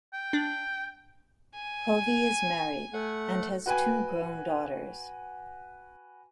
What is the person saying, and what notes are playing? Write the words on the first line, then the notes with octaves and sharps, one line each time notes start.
Covey is married and has two grown daughters.
G5
D4
G#5
A3 F#5
F#4 B4 G5 G#5